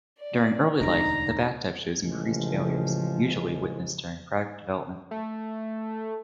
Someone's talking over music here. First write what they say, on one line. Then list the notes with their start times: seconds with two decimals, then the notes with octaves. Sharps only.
During early life, the bathtub shows increased failures, usually witnessed during product development.
0.19 D5
0.80 E1 D2 G#3 D4 D#4 D5 A#5
1.99 A1 C#3 F3 G#3
5.11 A3